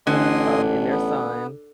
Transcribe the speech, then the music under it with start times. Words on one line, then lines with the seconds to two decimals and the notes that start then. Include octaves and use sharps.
um, and their son,
0.07 A1 D3 D#5 G#5 C6
0.90 B3